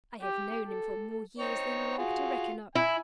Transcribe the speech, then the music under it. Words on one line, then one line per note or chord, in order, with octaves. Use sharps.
I have known him for more years than I like to reckon up.
G4
A4
C4 D#4 C#5
F4 F#4 G#4
E4 G#5